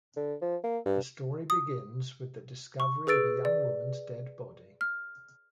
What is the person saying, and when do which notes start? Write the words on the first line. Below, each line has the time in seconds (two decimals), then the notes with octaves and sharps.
The story begins with the discovery of a young woman's dead body.
0.17 D3
0.42 F3
0.64 A#3
0.86 G2
1.50 D#6
2.80 C#6
3.07 G#4 B4 E6 A6 D7
3.45 D5
4.81 F6